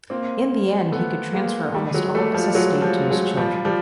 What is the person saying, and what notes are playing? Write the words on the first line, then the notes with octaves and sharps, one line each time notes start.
In the end he could transfer almost all of his estate to his children.
A#3 C4
A3 B3
G#3 A#3
G3 A3
F#3 G#3
G3 A3
F3 G3
F#3 G#3
F3 G3
F#3 G#3
F3 G3
F3 G3